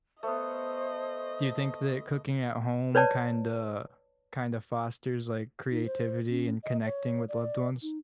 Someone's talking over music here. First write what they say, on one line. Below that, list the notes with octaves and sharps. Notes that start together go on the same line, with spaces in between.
Do you think that cooking at home kinda kinda fosters like creativity and connecting with loved ones?
A3 B3 C5 D#5
B4 C#5 D5 A5
D#4
C5
C#4
D#5
C#5
D5
D#4